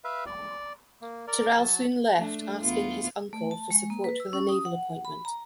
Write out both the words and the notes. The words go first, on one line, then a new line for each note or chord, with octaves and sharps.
Tyrrell soon left, asking his uncle for support with a naval appointment.
B4 E5 F5
D5
A#3
A#4 D5
F#3 A5
A3 D4
E2 B3 F4
A3
A5
G#3
A#3
B4
E6
C#4
D#6
F#5
B5
A#5